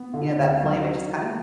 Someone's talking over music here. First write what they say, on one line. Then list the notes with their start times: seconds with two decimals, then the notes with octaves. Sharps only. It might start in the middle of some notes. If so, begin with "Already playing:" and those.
you know, that flame, it just kind of
Already playing: B3
0.14 D3
0.38 D2
0.63 F#3